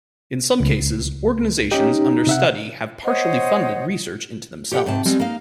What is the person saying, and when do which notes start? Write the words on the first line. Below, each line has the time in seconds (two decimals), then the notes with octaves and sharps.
In some cases, organizations under study have partially funded research into themselves.
0.60 C#2
1.71 C#4 D#4 G4
2.27 C3 E5 F#5
3.04 C5 C#5 D#5 F#5
4.72 G4 A4 C#5 E5 F#5 G5
4.86 G#2 C3 G5 A5
5.05 G3 G#3 B3 C4
5.20 A#3 D#4 F5